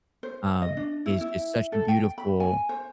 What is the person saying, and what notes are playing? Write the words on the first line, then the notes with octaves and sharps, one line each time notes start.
um, is just such a beautiful,
C5
D#5
D4
E4
E4
A4
G5
B5
G#5
C5